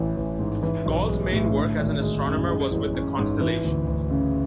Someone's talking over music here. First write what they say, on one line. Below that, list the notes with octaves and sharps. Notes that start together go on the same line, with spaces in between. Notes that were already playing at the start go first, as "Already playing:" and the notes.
Gall's main work as an astronomer was with the constellations.
Already playing: A1 E3
A1
G#2
E3
B1
G#3
A2
D3
G#1
G#3
F#2
G#3
A1
C#4
G#2
E3
D2
D2
C#3